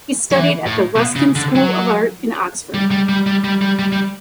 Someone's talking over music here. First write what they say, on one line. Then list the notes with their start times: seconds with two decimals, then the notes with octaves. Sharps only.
He studied at the Ruskin School of Art in Oxford.
0.32 F#3
0.37 E3
0.66 A2
0.96 B2
1.16 C#3
1.36 D3
1.55 F#3
2.74 G3
2.92 G3
3.09 G3
3.27 G3
3.44 G3
3.62 G3
3.79 G3
3.92 G3